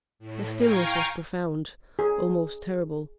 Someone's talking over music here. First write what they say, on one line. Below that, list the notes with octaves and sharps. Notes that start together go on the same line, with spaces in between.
The stillness was profound, almost terrible.
A2
F5 G5 G#5 A#5 C#6
G#4